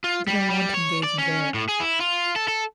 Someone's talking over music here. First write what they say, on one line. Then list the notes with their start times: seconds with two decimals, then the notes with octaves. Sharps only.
They don’t want to engage in care.
0.04 F4
0.27 G3
0.50 G3
0.74 C#5
1.03 D5
1.18 C#4
1.54 A2
1.69 G#4
1.80 E4
2.00 F4
2.36 A4
2.48 A4